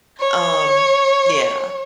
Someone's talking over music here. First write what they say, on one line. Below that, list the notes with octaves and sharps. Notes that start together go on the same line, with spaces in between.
um, yeah,
C#5